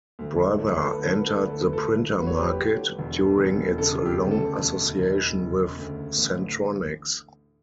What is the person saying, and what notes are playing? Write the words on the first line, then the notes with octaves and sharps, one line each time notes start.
Brother entered the printer market during its long association with Centronics.
D2
F#3 A4
B4
A4
B4
D3
A4
B4
A4
D2 B4
A4
B4
A4
D2
F#3 B4
C#5
G4 B4
D3
E1
E1
C#3 A4
G4
D2
A4
E1
E1
C#3
D2
A1